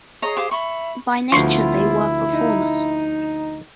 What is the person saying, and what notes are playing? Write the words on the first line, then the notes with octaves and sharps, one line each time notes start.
By nature they were performers.
G#4 C#5 D#5 A#5
G4 C5 F5
E5 B5 C#6
D2 F3 B3 E4 F4 C6 C#6 C7
D#4